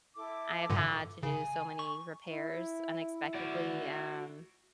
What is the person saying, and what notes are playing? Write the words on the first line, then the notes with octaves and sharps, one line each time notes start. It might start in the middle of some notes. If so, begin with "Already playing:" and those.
I've had to do so many repairs unexpectedly, um,
E4 A4 D6
G2 A#2 D3
C#3 G#5
C#6
E4
F#4 D5